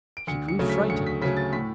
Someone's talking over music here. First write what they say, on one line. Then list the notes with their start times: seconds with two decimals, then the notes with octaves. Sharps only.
He grew frightened.
0.17 D7
0.27 D2 C#7
0.48 C#7
0.59 C#3 F#3 A3
0.70 B6
0.90 D2 C#7
1.07 B6
1.21 C#3 F#3 A3 B6
1.37 A6
1.53 A2 B6